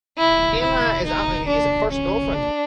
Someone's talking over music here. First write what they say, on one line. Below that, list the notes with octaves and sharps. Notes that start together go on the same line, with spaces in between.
Emma is Antony's first girlfriend.
E4
E4
D#4
D4
C#4
D4